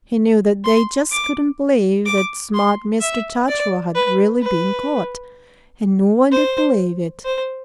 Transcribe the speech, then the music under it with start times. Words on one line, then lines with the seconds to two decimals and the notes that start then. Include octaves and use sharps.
He knew that they just couldn't believe that smart Mr. Chatterer had really been caught. And no one did believe it.
0.65 C6
1.11 D6
2.06 D6
2.54 C6
3.01 E5
3.48 D5
3.95 B4
4.42 B4
6.32 C5
7.25 C5